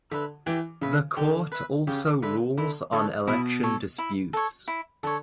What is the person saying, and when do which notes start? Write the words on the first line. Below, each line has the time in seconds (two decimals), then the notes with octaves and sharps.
The court also rules on election disputes.
0.11 D3 B4 E5
0.46 E3 G4
0.81 C#3 B4 E5
1.17 D3 G4
1.52 B4 E5
1.87 C#3 G4
2.22 D3 B4 E5
2.57 D3 E4
2.93 D3 A4 C#5
3.27 B2 E4
3.63 A4 C#5
3.98 E4
4.33 A4 C#5
4.68 E4
5.03 D3 A4 C#5